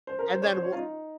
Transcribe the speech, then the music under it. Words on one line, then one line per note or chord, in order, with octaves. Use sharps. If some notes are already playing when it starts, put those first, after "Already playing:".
and then w
C5
A#4
C5
C#5
C5
C#5
F4
D#4